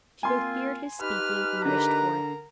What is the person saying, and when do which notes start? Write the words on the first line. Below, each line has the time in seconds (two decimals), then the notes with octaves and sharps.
She both feared his speaking and wished for it.
0.23 A#3 C4 F4 G#5 C6
1.01 D#4 G4 B4 F6
1.65 D3 A#4 A#5